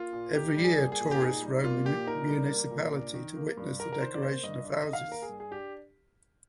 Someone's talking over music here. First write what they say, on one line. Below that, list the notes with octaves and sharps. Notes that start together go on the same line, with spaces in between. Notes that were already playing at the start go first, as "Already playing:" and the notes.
Every year, tourists roam the municipality to witness the decoration of houses.
Already playing: A#3 F4
A#2
D#4 G4
G3
G#4
A#3
G#4
A#2
G4
D#4 G#4
G3
A#3 F4
A#2 G4
D#4 A#4
G3
A#3
A#2
D4
D#3
A#3
G2
D4 A#4
A#4
D#3 C5
D5
A#3 C5
G2 D#5
D4
D#3 D#5
F5
A#3 A#4
G#4
G2
G#4
D4 G4